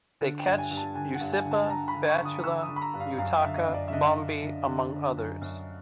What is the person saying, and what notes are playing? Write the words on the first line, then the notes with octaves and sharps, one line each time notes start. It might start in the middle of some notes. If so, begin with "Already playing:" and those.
They catch usipa, batala, utaka, bombe among others.
D3
G5
G2
G#5
G2
A5
D3 G#5
F#5
G2
G#5
D3
A5
A5
D3 A#5
B5
D3
C#6
D3
D#6
D3 E6
D#6
D3
B5
A#5
G2
F5
F#2 F5
E5
D3
D#5
F#2
D5
E5
D3 D#5
D3
D3
D3
D3
F#2
F#2